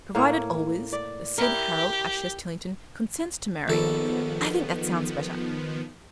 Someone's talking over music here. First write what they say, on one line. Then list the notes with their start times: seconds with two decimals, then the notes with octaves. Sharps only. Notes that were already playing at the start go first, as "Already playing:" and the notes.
"Provided always the said Harold Ashurst Tillington consents to marry"-- I think that sounds better!'
0.15 A2 A#3 C#5
0.93 D5
1.38 E4 G4 A#4
3.68 A#1 D#3 F3 B3 A4